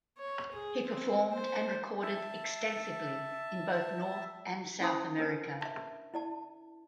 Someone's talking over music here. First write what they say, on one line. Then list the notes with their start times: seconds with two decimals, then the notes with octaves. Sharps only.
He performed and recorded extensively in both North and South America.
0.18 C#5
0.52 G#4
0.87 C4
1.31 C5
2.02 E5 A5
4.80 C#4 E4 C5 A5 D#6
5.18 D4 A#4 B4
5.61 E5 A5
6.14 E4 D5 A5